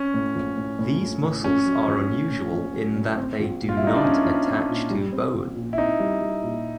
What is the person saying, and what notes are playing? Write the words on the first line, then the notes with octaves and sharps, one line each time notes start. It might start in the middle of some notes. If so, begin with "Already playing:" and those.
These muscles are unusual in that they do not attach to bone.
Already playing: C#4
A2
A#1
A2
A2
A#1
A2
A#1 C#4
F#3
A#1
A2
A2
A#1
F#3
A2
C4
A#1
A#2
F4
E4
G3 D#4
D4
A#1 C#4
A#1
C4
A#2
G3
C4
A#1
A#2
E4
C4 D#4
G3
G3
A#2